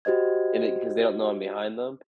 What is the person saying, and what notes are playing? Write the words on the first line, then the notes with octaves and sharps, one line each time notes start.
and it 'cause they don't know I'm behind them,
F#4 G4 C5 D#5 G#6